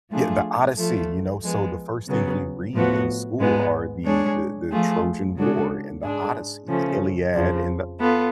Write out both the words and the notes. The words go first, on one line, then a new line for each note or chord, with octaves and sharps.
Yeah, The Odyssey, you know, so, the first things we read in school are the the the Trojan War and The Odyssey, The Iliad and the
F3 A3 D4 F4 G#4
F3 A3 F4
F3 G#3 B3
C#3 F#3 B3
A2 F3 B3 F#4
G#2 G#3 B3
G#3 D4 G#4 C#5
F3 A3 F4 G#4
C#3 G#3 D4 F#4 A4
G#2 G#3 D4 G#4
C#3 F3 A3 C#4
F2 C#3 F3
B3 F4 A4